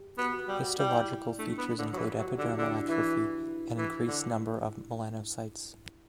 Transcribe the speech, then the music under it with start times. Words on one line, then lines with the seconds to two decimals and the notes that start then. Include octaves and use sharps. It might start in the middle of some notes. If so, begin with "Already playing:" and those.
Histological features include epidermal atrophy and increased number of melanocytes.
Already playing: G4
0.18 B3 F#4
0.34 F#4
0.48 G3 F#4
0.64 F#4
0.78 G3 E4
1.39 A3 D4
1.58 B3
1.79 D3
1.93 F#3
1.98 E3 E4
2.13 G4
2.19 F#3
2.28 F#4
2.39 D3
2.44 E4
2.58 D3 D4
2.89 E3 E4
3.78 E3
4.08 D3